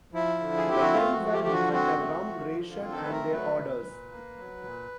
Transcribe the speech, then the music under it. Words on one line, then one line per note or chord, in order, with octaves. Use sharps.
The men were given a rum ration and their orders.
F3 E4
D3
G#4
C4 G4
F#4
A3 F4
F#4
F3
G4
D3 G4
F#4
C4 F#4
A3
F3
D3
F4
C4
A4
A3 B4
A#4
F#3 B4
A#2
A#2
A#3
F#3
A#2